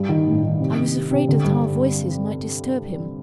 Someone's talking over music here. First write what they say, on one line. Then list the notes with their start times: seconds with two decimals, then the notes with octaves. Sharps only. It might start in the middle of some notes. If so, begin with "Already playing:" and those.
I was afraid that our voices might disturb him.
Already playing: G2
0.09 D#3
0.27 A1
0.43 D#3
0.60 C3
0.77 C3
0.94 C3
1.11 C3
1.28 D3
1.45 G2